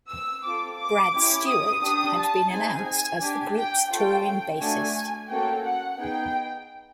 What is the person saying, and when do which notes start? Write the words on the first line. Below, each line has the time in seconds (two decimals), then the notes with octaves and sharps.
Brad Stewart had been announced as the group's touring bassist.
0.10 E6
0.43 C4 F4 A4 D6
0.78 D6
1.13 C#4 E4 G4
1.48 D#6
1.82 D4 G4 D#6
2.17 A5
2.52 C4 D#4 G#4 G#5
2.87 G#5
3.21 D4 G4
3.56 G5
3.91 C#4 F4 A4 G5
4.60 A3 D4 F#4 G#5
5.29 A#3 C#4 F#4 A4 G5
5.64 F#5
5.99 B3 D#4 G#4 G5